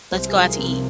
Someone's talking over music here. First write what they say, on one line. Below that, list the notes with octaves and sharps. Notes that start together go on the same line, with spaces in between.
"Let's go out to eat."
C2 C5
G#4
F3
A#4
C3
A#4